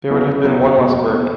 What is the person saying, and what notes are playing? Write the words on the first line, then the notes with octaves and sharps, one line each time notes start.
There would have been one less burden.
F#3 B3 E4 G#4
C#3
F#3 B3 E4 G#4
E2
B2 G#3
E2
B2 G#3